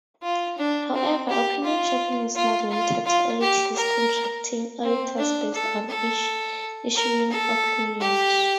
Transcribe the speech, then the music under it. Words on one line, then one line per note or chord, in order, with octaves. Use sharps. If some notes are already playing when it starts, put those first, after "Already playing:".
However, opinion shopping is not limited to auditees contracting auditors based on issuing opinions.
F4
D4
C4
G4
F4
F4
F4
F4
G4
A#4
C4
D4
A4
A4
A#4
A4
G4